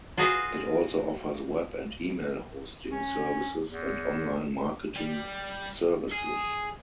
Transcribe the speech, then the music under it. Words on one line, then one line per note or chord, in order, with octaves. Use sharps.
It also offers web and email hosting services and online marketing services.
F4 F#4 G#4 B4 D#5
C#4
E2
G3
G#4